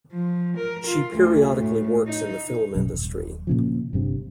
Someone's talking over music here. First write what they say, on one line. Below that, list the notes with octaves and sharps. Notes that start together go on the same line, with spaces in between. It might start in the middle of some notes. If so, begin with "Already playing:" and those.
She periodically works in the film industry.
F3
A#4
F4
D2
A2
D#4
B1 F#2
D#1
A#2 C#3 F3
G1 G2 C3